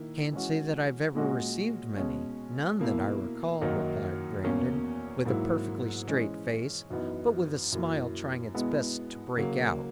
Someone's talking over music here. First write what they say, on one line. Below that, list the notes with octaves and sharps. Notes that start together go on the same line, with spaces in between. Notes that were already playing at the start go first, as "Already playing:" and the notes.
"I can't say that I have ever received many--none that I recall," replied Brandon, with a perfectly straight face, but with a smile trying its best to break out.
Already playing: D#3 A#3 E4
E3 G#3 C#4 F#4
A#2 G#3 C#4 F#4
B2 G#3 C#4
B2 A#3 E4
F#2 D#3 F#3 A#3 D#4
E2 B2 A#3 C#4
G#2 F#3 A#3 E4
E3 G#3 C#4
F#2 E3 B3 D#4
F#2 E3 A#3 E4
B2 G#3 B3 E4
C#3 F#3 A#3